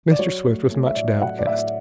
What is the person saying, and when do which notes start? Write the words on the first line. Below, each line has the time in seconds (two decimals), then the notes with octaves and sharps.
Mr. Swift was much downcast.
0.12 D5
0.19 F#3 C#5
0.45 A3
0.70 A3
0.86 E5
0.96 A2 D5
1.22 F#3 F#5
1.39 D5
1.47 A2 E5